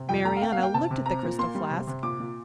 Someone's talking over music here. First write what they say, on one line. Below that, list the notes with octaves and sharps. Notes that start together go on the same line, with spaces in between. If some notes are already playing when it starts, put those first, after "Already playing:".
Marianna looked at the crystal flask.
Already playing: C3
F2 G5
A3 A#5
F5
A#3 G5
F5
A#3
G5
C3 A5
C3
C4 A#5
A#2
A#3 C6
G3
C3
C3
A#2 D6
A#2